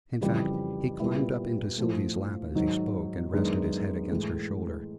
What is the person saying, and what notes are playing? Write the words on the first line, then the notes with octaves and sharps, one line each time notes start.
In fact, he climbed up into Sylvie's lap as he spoke, and rested his head against her shoulder.
F2 C#3 E3 G3
A#2 G3 B3 E4
A2 F3 A3
G#2 D#3 F#3
F#2 D#3 G#3 B3 D4
A2 E3 G#3